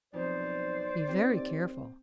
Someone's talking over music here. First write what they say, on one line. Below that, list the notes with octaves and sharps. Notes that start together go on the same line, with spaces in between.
Be very careful.
B1 F2 C5 D5
D#2 C4